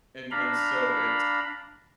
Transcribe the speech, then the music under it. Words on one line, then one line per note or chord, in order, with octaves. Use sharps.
and and so it's
D4 F5 A#5 B5